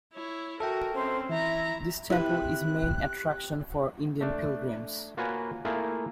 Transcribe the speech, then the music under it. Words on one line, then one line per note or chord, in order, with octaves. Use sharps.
This temple is main attraction for Indian pilgrims.
E4 C#5
F#4 A4 A#4 E5 G5
C4 C#4 C5
E3 E4 E5 A#5
C3 E4 B4 F#6
A3 D4
A#3 F4 F#4 B4 C#5 G#5
A3 A#3 E4 F4 G#4